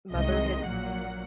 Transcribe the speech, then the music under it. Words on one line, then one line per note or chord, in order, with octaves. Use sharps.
mother had
C2 C3 D#3 G#3 D#5
A#1 A#2 F#3 A#3 F#5